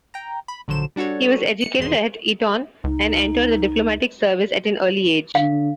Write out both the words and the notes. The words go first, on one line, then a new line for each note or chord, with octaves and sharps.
He was educated at Eton and entered the Diplomatic Service at an early age.
G5 A#5
B5
A#1 D3 F#3 C5 E7
G3 D4 F#4 A4 C#5
C#7
G#1 E2 B2 G#3 C6
C#2 D#4
D3 F5